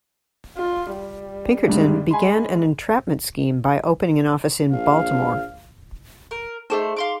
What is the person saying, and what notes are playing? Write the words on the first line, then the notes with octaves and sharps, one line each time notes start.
Pinkerton began an entrapment scheme by opening an office in Baltimore.
F4
G3
C2 G2 G#3
G#3 G#5 B5 C6
A#1 F5
A#4
A3 C#4 D#4 G#4 C5 D#5
F5 C6 D6